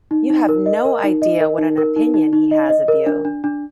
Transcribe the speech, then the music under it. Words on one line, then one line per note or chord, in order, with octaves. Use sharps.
You have no idea what an opinion he has of you!
D#4
D#4
A#4
D#5
A#4
D#4
D#5
A#4
D#4
A#4
D#4
D#4
D#4
D#5
D#5
A#4
D4
D4
D4